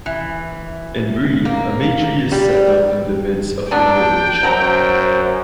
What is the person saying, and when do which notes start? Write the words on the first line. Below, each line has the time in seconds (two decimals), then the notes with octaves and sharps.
In Brie a May-tree is set up in the midst of the village.
0.06 E3
1.45 A#3
2.32 G3
3.71 F#3 B3 D4 G5
4.43 F#2 F#3 C5 A#5